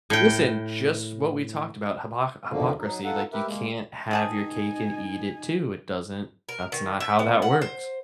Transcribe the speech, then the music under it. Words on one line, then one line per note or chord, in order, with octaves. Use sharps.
Listen, just what we talked about, hypo hypocrisy, like, you can't have your cake and eat it too. It doesn't that's not how that works.
A2 G5
E2 B2 D3 D#3 F3 A#3
F#3 D#4
D#4 F4 A4 F#5
G4 A#4 B4 E5
G#3 A#3
D#3 D#4 G#4 G#5 A5
A#4
D#3
E5
B3
F#5
C5